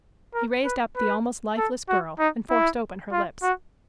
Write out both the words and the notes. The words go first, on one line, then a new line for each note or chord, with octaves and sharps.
He raised up the almost lifeless girl, and forced open her lips.
A#4
B4
B4
A4
F#4
D#4
E4
F4
F#4